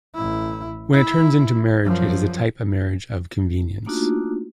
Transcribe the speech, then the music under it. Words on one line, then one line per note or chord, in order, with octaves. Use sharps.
When it turns into marriage it is a type of marriage of convenience.
A1 E4
E4
F#2 F3
A3 A#3 D4 D#4 F4 F#4